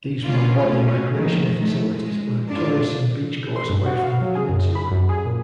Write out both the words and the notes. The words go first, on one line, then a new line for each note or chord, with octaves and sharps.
These more modern recreational facilities lured tourists and beachgoers away from the peninsula.
A#3 C#4 D4 F4
B2 A3 C#4
A#2 D#3 F3 A3
A3
G#3
A2 D4 F4
C6
G2
F#4
F5
F#3
G#4
F#2
B5
F#2
G#4
A#2